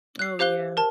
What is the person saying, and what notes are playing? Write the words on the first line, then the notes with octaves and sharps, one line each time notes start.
Oh, yeah.
F#6 C7
G4 C5 F5 F#6 G7
A#4 A5